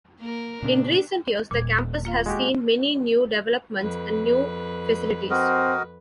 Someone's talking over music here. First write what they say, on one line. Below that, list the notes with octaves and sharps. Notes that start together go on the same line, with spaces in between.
In recent years the campus has seen many new developments and new facilities.
A#3 A#4
A#2 C#3 B3 D4
D#1 A#2 G#6
A#3 F4 F5
G#3 F#4 G4
F2 B4
C4 F#4 A#4 D#5